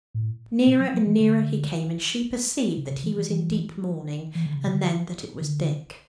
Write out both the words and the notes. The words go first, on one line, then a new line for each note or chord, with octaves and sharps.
Nearer and nearer he came, and she perceived that he was in deep mourning, and then that it was Dick.
A2
B2
F#3
F#3
E3
D3
C#3
C#3
E3
E3
E3
E3
D3
C#3
D3
D3